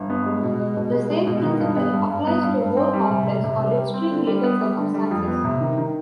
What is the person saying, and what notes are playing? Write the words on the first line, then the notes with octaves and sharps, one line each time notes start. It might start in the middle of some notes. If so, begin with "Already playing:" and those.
The same principle applies to more complex or extreme legal circumstances.
Already playing: G1
B3
G#3
B2
G#3
B2
G#3
G#3
B2
D#3
G2
B3
G2
G2
B3
G2
G2
C4
G3
C3
C3
C3
G3
G3
C4
D3
G3
B3
G3
D3
G3
F2
B3
C3
D#3
D#3